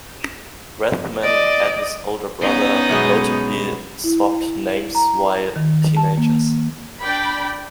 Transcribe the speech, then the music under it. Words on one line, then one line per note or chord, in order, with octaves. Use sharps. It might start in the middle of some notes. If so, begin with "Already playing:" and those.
Rathmann and his older brother notably swapped names while teenagers.
D5 D#5
B3 C#4 D#4
F#2 B2 G#3
E4
A#5
D#3
A5
A#3
D4 D5 G5 B5